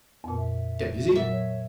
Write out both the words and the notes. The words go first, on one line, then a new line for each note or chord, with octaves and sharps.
"Get busy."
F2 A#2 B3
E5
A#2 F#3 E5
C#5